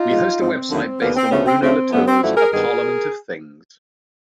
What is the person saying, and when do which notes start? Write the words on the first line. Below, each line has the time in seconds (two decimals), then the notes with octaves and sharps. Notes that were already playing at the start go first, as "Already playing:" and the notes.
He hosts a website based on Bruno Latour's 'A Parliament of Things'.
Already playing: D#4 F4
0.09 G#2 F3 G#3
0.40 G#2 F3 G#3 C4
0.70 D#2 D3 F3 A#3
1.00 D#2 D3 F3 A#3 B3
1.16 C4
1.30 D2 C#3 F3 A3 B3 C#4
1.46 C4
1.60 D2 C#3 F3 A3 C4
1.91 F#2 D3 F3 A3 B3
2.06 C4
2.21 F#2 D3 F3 A3 E4 F#4
2.36 G#4 A#4
2.51 G2 D#3 G#3 B3 G#4 A#4